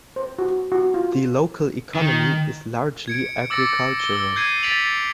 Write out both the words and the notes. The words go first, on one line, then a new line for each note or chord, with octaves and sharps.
The local economy is largely agricultural.
C5
F#4
F#4
F4
D#3
G#6 C#7 D7
D6 E6 A6 A#6 C#7
G7
E6
G6 G#6 C7 D#7
A6 B6 C#7 D7 F7 F#7